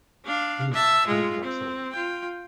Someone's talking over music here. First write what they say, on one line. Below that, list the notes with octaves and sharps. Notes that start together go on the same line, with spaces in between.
Please, don’t be absurd.
D4 F5
E5 A5
G#3 F4
C4
F4 G5